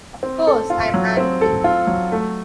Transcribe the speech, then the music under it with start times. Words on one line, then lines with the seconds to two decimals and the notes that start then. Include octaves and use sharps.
Of course I am angry.
0.23 C4
0.47 A4
0.70 F4
0.94 F#3
1.17 C4
1.41 A4
1.64 F4
1.87 F#3
2.12 A3